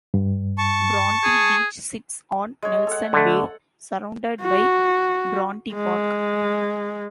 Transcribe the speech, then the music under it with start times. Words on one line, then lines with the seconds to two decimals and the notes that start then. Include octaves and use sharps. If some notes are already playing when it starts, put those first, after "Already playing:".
Bronte Beach sits on Nelson Bay, surrounded by Bronte Park.
0.14 G2
0.58 A5 C#6
1.24 G#4
2.62 G#3 C#5
2.87 A4 F#5
3.13 D3 A3
4.41 F#4
5.75 G#3